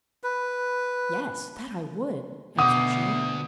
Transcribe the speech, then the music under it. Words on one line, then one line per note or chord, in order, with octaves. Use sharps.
'Yes, that I would!' answered she.
B4
D2 B2 F#5 D6 D#6